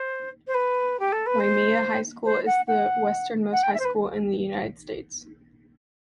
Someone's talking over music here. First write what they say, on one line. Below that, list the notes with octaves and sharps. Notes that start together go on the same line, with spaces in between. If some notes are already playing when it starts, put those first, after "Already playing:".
Waimea High School is the westernmost high school in the United States.
Already playing: C5
C5
B4
G4
A4
B4
C5
C5
F#5
F#5
F#5
G5
E5
C5
B4